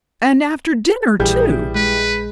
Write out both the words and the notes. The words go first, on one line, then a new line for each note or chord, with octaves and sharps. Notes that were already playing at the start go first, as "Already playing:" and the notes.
"And after dinner, too!"
A#1 E3 G3 G#4 G6
G#3 B4